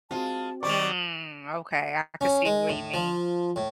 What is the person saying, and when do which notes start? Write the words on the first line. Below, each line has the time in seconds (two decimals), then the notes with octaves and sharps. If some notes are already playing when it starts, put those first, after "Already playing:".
Mm, okay, I can see what you mean.
0.11 G#3 C4 F4 F#4 A5
0.63 D#3 G3 C4 D5 D#5 C#6
2.21 C#4
2.45 G#3
2.69 A2
2.94 F3
3.56 A2